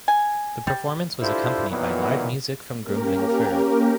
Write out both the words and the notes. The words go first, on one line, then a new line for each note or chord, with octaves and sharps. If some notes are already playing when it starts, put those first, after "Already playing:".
The performance was accompanied by live music from Grumbling Fur.
G#5
G3
D4 E4 F4 G4 A4 C5
A#2 D#3 E3 F#3 B3
A#3 C#4 G4 A#4